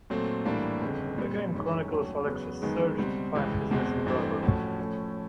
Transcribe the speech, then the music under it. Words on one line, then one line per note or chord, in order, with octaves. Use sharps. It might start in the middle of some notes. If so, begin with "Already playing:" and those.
The game chronicles Alex's search to find his missing brother.
A#2 F#3 A3 C4
A2 E3 G3 A#3 D4
G1 F2 C#3
A#2 G3 C4
F#2 D#3 G#3 C#4
D#2 D3 F#3 A3 C#4
E2 C#3 F#3 B3
F#2 D#3 G#3 B3
C#2 B2 G3 C4
C#2 C#3 E3 G#3
E1 E2 B2 G#3 C4
A1 G2 E3 A3 C4
A2 F3 A3 C#4 F#4
A2 F3 A3 C#4